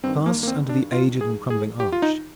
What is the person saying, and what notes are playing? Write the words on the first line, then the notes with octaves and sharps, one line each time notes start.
Pass under the aged and crumbling arch.
G2 D#3 C4
A#3
A#3
C4
D4
F4
G#4
G#4
G4
F4
D#4